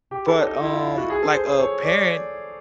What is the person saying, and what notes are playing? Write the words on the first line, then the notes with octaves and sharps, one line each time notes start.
But, um, like, a parent,
G4
A4
D#4
E4
F4
F4
F#4
G#4
A4
C5
C5
C#5
D5